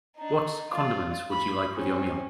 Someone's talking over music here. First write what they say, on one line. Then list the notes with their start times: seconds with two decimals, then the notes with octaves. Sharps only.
What condiments would you like with your meal?
0.17 D4 D#4
0.70 F4 D5
1.31 B5
1.74 C4 C#4